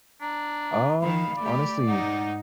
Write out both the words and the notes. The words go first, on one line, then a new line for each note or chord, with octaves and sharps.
Um, honestly
D4 A#5
D#3 F5 B5
A3 G4 D5
G#2 D#4 F#5